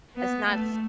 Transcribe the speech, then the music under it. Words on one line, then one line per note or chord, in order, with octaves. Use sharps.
it's not s
B3
A3